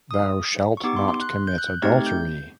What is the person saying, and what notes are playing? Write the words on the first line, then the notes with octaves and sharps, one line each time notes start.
Thou shalt not commit adultery.
D#6
C#6
B3 D#4 G4 D6
C6
C6
F#6
G6
F#6
A3 C4 D#4 G4 G#6
G6